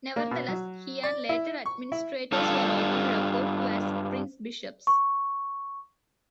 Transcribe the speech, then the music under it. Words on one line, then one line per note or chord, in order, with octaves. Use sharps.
Nevertheless, he and later administrators were often referred to as prince-bishops.
A#3
B2
F#3
D5
E4
C#6
E4
G2 F4 A4
C#6